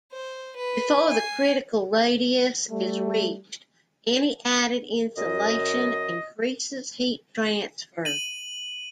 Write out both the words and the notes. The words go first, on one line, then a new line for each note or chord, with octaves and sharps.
Before the critical radius is reached any added insulation increases heat transfer.
C5
B4
G#5 C7
G3 A3
F#2 D#5
D#7 F#7